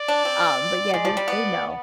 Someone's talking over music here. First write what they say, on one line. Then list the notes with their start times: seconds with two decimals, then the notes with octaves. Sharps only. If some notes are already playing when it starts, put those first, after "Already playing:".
Um, but, yeah, they they know.
Already playing: D5
0.08 D4
0.25 C4
0.94 G#3 D5
1.05 F3
1.17 G3
1.28 B3